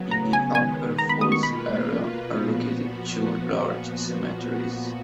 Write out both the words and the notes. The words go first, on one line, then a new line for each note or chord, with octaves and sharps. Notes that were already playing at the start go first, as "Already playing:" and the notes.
In the Upper Falls area are located two large cemeteries.
Already playing: C#3 F#3 B3
A#5
G#5
D#3 G#3 B3 G#5
A#5
B5
D#6
C#6
B2 A#3 F4 B4 B5
A#2 F3 B3 F#4